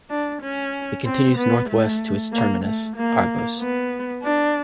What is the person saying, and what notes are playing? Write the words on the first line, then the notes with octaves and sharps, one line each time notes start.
It continues northwest to its terminus, Argos.
D4
C#4
C4
B3
A3
A#3
A3
A#3
B3
D4